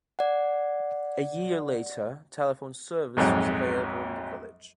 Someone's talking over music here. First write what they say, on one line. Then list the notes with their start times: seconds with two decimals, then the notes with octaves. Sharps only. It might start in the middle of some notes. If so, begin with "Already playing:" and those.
A year later, telephone service was available in the Village.
0.19 D5 F#5
3.17 A#1 F2 G#2 F#3